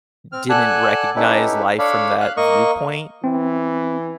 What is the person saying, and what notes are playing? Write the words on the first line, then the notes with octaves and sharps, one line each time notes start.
didn't recognize life from that viewpoint,
C4 F6
A4 D5 F#5 G#5 A5 F#6
C#4 D#4 E4 G4 A4 B4
D4 A4 C#5 D5 F5 B5
F5 F#6
A#3 D#5 C#6
E3 C4